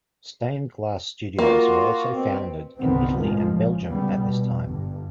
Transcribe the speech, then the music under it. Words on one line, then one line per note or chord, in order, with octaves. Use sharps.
Stained glass studios were also founded in Italy and Belgium at this time.
A#3 F4 F#4
B2 C4
G1 C2 D3 D#3 B3 C4
A2 D#3 F3 G#3
C#3
C#3 G3 B3
B2
G1 G2